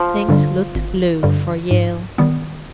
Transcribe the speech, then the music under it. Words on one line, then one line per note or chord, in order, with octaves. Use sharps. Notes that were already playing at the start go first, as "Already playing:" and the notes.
Things looked blue for Yale.
Already playing: F3
G2 D3 G3
G#1
G2 D3 G3
G#2
D#3 G3 B3